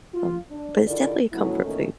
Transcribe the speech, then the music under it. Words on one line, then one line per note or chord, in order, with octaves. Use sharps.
Um, but it's definitely a comfort food.
F4
D4
D3 D#3 E4 F4 G#4 D5
B2 F#3 A3 C#4 E4
E2 A#2 D#3 A3 C#4 A4